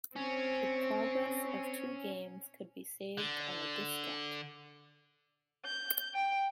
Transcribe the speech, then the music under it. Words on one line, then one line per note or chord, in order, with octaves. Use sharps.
The progress of two games could be saved on a diskette.
C4 C#4
D3
G6
G5